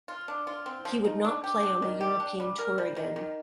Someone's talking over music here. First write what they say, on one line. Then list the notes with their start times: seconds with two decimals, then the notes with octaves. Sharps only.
He would not play on the European Tour again.
0.08 F4
0.28 D4
0.47 F4
0.66 C4
0.85 F3
1.05 D#4
1.24 D4
1.44 G4
1.63 D4
1.82 D#3
2.01 G4
2.20 D4
2.40 G3
2.58 A#4
2.78 G3
2.96 D#3
3.16 D#3